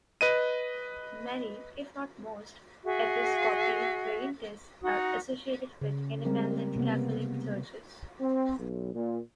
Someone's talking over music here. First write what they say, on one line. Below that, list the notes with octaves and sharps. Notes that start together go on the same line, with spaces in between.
Many, if not most, "episcopi vagantes" are associated with Independent Catholic Churches.
B4 D#5 D#7
F#4 G#4 E5
D#4 F#4 D#6
C#3
G3 G#3 C4 A#4
C3 A#3 B3
C4
B1
A#2